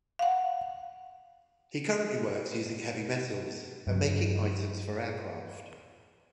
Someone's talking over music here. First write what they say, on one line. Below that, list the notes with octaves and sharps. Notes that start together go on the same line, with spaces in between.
He currently works using heavy metals and making items for aircraft.
F5 F#5
G2 F#3